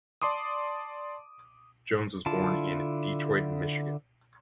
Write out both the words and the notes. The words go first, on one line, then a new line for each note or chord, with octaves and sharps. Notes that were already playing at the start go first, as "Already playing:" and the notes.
Jones was born in Detroit, Michigan.
D5 A5 C6 D6 D#6
D3 E4 F4 A5